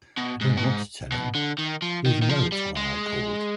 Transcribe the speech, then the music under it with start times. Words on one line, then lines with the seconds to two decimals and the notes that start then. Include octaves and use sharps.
I don't want to tell him, even though it's why I called.
0.18 B2
0.41 G#2
0.57 B2
0.64 G#2
1.12 B2
1.35 D3
1.58 D#3
1.82 F3
2.06 D#3
2.22 D#3
2.29 F3
2.52 G3
2.77 G#3